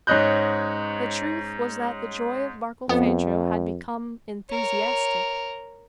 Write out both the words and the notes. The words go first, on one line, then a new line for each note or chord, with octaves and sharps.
The truth was that the joy of Barkilphedro had become enthusiastic.
G#2 C#4 C#5 D#5 F#6 G6
F2 B3
A#4 C#5